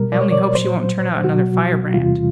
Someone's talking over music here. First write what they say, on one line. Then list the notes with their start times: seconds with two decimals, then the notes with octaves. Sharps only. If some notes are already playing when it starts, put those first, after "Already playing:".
"I only hope she won't turn out another firebrand."
Already playing: B2 G3 A#4
0.12 D5
0.21 C#5
0.32 D5
0.55 A#2 F#3 C5
1.24 B2 F#3 F#4
1.94 E2 C3 E3 G3 F4